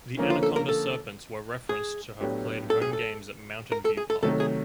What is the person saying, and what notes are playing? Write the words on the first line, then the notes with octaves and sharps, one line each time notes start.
The Anaconda Serpents were referenced to have played home games at Mountain View Park.
D3 F3 A#3 C#4
F4
A4
A#4
A4
G#4
A2 F#3 B3 D4 G4
A4
G#4
A4
A#4
A4
G#4
A4
C3 D#3 F#3 A3 A4
G#4